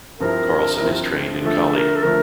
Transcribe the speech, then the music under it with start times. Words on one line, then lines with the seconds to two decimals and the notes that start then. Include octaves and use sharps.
Carlson is trained in Kali.
0.20 G2 F3 C4 E4 A#4
0.81 G2 F3 C4 E4
1.42 D3 F3 A3 A4
1.69 A4
1.72 A#4
1.96 A4
2.02 D3 F3 A3 A#4